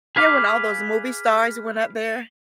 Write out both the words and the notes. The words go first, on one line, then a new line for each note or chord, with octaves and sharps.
Yeah, when all those movie stars went up there.
G#4 B4 F5 D6